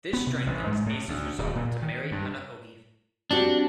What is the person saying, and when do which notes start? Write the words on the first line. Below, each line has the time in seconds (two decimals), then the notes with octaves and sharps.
This strengthens Ace's resolve to marry Hana-ogi.
0.13 B3
0.27 C3
0.47 A1
0.67 G#2
0.86 A2
1.08 D2
1.38 D1
1.55 A#2
1.82 D#3
2.12 G2
3.31 G3 C4 D4 F#4